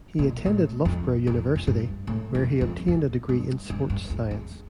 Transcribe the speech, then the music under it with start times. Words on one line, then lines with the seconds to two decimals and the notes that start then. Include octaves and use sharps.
He attended Loughborough University, where he obtained a degree in Sports Science.
0.19 A#2
0.46 A2
0.85 F2
1.27 F2
1.56 F2
1.67 G2
2.07 A2
2.35 F2
2.61 F2
2.88 F2
3.29 G2
3.70 G2
3.90 G2
4.10 F2
4.31 E2